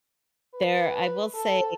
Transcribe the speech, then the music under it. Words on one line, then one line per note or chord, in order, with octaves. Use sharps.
There I will say
B4
A4